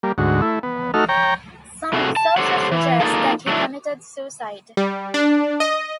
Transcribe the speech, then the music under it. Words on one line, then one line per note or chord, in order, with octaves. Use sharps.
Some sources suggest that he committed suicide.
G3 A#3
D2 G#2 F#4
A3 E4
B3
A3 D#4 F#4 A4 F6
C#5 G5 A#5
A2 C3 A3 F#4 G#4
A5
G4 A4 C5 C#5 F#5
E3
A#3 D#4 F4 G#4 A4
F#3 A3 D4 E4
G3
D4
D#5